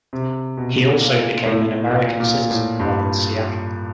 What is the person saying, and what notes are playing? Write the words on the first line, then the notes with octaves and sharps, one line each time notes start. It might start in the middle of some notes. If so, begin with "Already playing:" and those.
He also became an American citizen while in Seattle.
C3
B2
A#2
A2
A#2
A#2
A2
G2